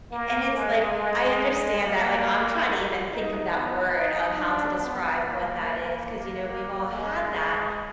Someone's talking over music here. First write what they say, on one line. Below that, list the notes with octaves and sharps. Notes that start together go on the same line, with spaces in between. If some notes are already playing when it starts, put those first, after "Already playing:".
And it's like, I understand that, like, I'm trying to even think of that word of how to describe what that is, 'cause, you know, we've all had that,
A#3
G#3
G#3
G#3
A#3
D#4
B3
D#4
D4
B3
A#3
A#3
A#3
G#3